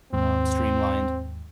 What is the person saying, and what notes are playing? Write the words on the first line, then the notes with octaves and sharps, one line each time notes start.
um, streamlined,
D#2 G#2 C4